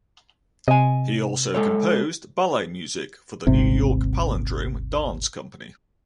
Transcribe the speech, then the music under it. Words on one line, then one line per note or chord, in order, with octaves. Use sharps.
He also composed ballet music for the New York Palindrome Dance Company.
C3 D#5 G#5
G#3 A4 C#5
D#1 G#1 C3